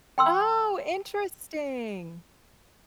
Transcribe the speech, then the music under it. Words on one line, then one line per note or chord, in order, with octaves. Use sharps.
Oh, interesting!
G5 C6 E6